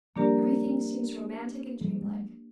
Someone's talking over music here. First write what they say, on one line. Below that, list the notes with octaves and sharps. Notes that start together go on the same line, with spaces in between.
Everything seems romantic and dreamlike.
F3 G3 A#3 D4 G4 A#4 D5
F3 G3
F#3 G#3